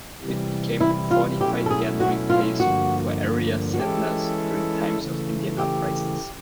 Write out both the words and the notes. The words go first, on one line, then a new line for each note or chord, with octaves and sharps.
It became the fortified gathering place for area settlers during times of Indian uprisings.
C3 E3 G3
E4
F4
B2 F#3 A3 C#4 E4 G4
A4
G#4
F#4
F4
G2 D3 F3 A#3 F#4
F#4
E3 G#3 C#4 E4 G4 A4
C#3 E3 A3
G4